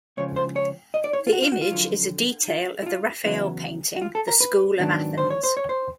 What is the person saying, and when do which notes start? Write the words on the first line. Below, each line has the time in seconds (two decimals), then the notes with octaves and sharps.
The image is a detail of the Raphael painting "The School of Athens".
0.17 C#2 C#3 F3 C#5
0.36 C5
0.56 C#5
0.94 D#5
1.04 D5
1.13 C#5
1.27 F4
1.33 F#4
1.42 F4
1.52 F#4
1.61 F4
1.71 F2 D3 F#3
2.48 F4
2.82 E4
2.86 F4
3.24 E2 C#3 F#3 B3 E4
3.96 F#4
4.02 F4
4.15 A4
4.28 A#4
4.40 B4
4.79 G#2 D#3 F#3 B3 D4
5.18 C5
5.30 C#5
5.43 C5
5.57 C#5
5.69 C5